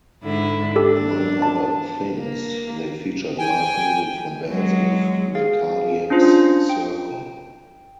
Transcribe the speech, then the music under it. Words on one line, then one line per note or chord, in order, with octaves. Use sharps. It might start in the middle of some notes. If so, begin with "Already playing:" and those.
Among other things, they featured live music from bands within the Cardiacs circle.
G#2 D3 E4
D4 G4 A4
A5
A#3
G5 G#5
F#3 G#3
G#4 F5
C#4 D4 F4 C5
G5